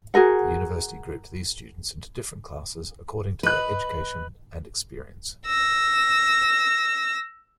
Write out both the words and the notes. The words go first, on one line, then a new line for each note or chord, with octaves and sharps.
The university grouped these students into different classes according to their education and experience.
F#4 G#4 A#4 F#5
B4 D#5 F#6
E6 A#6